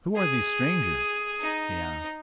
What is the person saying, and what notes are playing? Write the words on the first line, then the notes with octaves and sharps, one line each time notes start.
"Who are these strangers?" he asked.
G#4
D#4